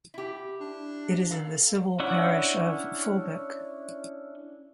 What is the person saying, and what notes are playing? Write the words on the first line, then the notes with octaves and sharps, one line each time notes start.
It is in the civil parish of Fulbeck.
E4 G4
D4
A4 F5 A#5
C#4 D4 E4 F#5